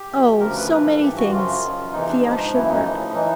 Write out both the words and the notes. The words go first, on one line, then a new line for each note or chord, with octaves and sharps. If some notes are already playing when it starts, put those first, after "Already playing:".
"Oh--so many things!" Thea shivered.
Already playing: G4
E2 B2
D2 C#3 F3 A#4
B4
G#2 E3 B4
A4
G2 E3 G4
F#4
F#2 C#3 F3 F4
F#2 D#3
E2 C3 E3 D#4
D4
G#2 F3 D#4
D#4
F#2 C#3 E3 E4
D#4
A2 F3
E3 D#4